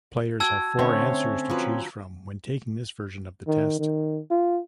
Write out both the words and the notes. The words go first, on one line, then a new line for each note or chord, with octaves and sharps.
Players have four answers to choose from when taking this version of the test.
F#4 G5 A5 E6 G#6
D3 A3 C4 C#4 C#5
F3 F#3 B4
D#3
D#3
F4